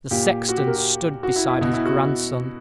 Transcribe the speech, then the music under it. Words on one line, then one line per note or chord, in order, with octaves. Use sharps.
The sexton stood beside his grandson.
A#2 G4
F#4
G4
A#4
G4
F#4
E4
E4
B2 F#4
E4
F#4